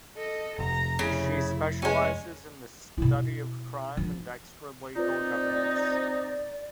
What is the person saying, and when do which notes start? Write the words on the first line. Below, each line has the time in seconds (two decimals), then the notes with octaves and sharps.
She specializes in the study of crime and extralegal governance.
0.17 A4 D#5
0.59 F1 A#5
0.99 C#3 E4
1.82 G#3 C#4 G#5
2.98 B2 E4
3.97 F3 D4
4.96 C4 D#4 F4 B4 D5